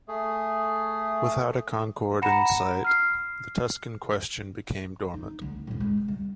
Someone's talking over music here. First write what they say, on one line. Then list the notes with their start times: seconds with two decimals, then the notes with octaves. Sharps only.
Without a concord in sight, the "Tuscan question" became dormant.
0.08 A3 G#4
2.22 F#5 A#5 B5 A#6 C#7 E7
2.84 F6 C7
5.14 D#4
5.41 D2
5.67 E1 A2
5.80 G#3
6.08 G3